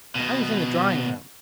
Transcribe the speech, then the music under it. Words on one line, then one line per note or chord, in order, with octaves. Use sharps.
"I was in the drawing-room."
B2 D#3